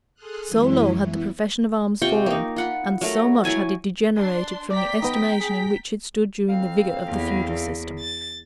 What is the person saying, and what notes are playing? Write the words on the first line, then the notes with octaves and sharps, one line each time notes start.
So low had the profession of arms fallen, and so much had it degenerated from the estimation in which it stood during the vigor of the feudal system!
G#4 A4 C6 D#6 F6 F#6
F#2 E3 F#3 G#3 C#4 E4
E3 B3 E4
C3 F4 G5 C#6
A#3 D#4
F4 F#5 B5
F#3 A3 A#4
F#3 E4 G#5 A5
D4 C6
D5 G5 A#5 B6
B3 D#4 D#5
G#4
F2 C4 F5
E2
A6